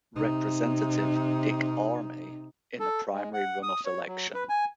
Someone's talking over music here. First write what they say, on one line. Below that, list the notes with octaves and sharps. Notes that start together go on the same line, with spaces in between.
Representative Dick Armey, in a primary runoff election.
C3 D#4
A4
G#3
F#5
D#6
C#5
F#3
B4
G#5